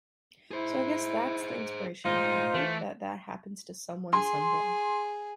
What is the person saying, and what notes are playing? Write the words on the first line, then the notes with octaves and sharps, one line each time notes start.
So I guess that's the inspiration-the hope that that happens to someone someday.
E4 G#4 C5
A2 G#3 D#4 F4 C5
E3 A3
G#4 C6